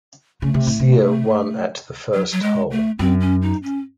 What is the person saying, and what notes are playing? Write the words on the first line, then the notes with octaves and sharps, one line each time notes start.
Hsieh won at the first hole.
C#3 A3
C3
A2
C3
F#3
F#3
G#3
A3
F#2 C4
C#4
D#4
C#4